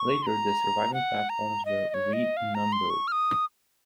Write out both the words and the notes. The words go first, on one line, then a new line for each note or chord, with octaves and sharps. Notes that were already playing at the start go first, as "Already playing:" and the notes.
Later the surviving platforms were re-numbered.
Already playing: C#6
C6
A#5
F#5
A#5
D#5
D#5
C#5
D#5
F5
A#5
C6
C#6
F6
D#6